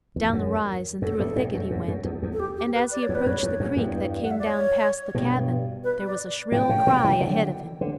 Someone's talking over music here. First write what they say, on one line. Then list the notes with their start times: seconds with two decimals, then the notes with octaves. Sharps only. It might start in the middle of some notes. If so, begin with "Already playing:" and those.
Down the rise and through a thicket he went, and as he approached the creek that came down past the cabin there was a shrill cry ahead of him.
0.16 E2
0.29 E2
0.33 F#2
1.02 F#2 A4
1.19 E2 G2
1.36 G2 B2
1.54 F#2
1.71 F#2
1.88 F#2
2.05 E2
2.23 E2
2.33 A4
2.40 G4
2.57 G4
2.73 B4
2.91 D5
3.03 C#5
3.09 E2
3.15 B4
3.26 F#2 C#5
3.43 E2
3.60 F#2
3.77 E2 G2
4.23 F#5
4.31 E5
4.39 D5
4.46 C#5
5.15 G2 B2
5.84 B4
6.07 D5
6.52 A2 C#3 G5
6.69 A2 C#3
6.87 B2 D3
7.05 C#3 E3
7.21 D3 F#3
7.81 D3